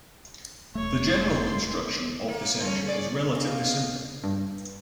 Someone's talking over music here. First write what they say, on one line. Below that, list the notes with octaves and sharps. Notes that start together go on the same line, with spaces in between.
The general construction of this engine is relatively simple.
E1 A3 C#5
C6
A#3
C#3 C#4
G#4 D5
B3 G#4 D#5 F5
G2